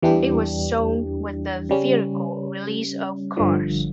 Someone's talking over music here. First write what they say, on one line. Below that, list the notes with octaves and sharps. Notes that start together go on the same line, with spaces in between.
It was shown with the theatrical release of "Cars".
E2 E3 G3 D4 G4
C#3 G3 C#4
G1 G2 D3 F3